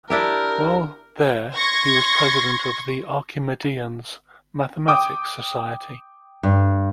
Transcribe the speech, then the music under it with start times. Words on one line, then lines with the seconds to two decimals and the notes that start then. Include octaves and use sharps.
While there he was president of The Archimedeans mathematics society.
0.10 D4 E4 G4 A#4
1.54 C6 C#6 G#6 A#6
4.88 G5 D6 D#6
6.43 G2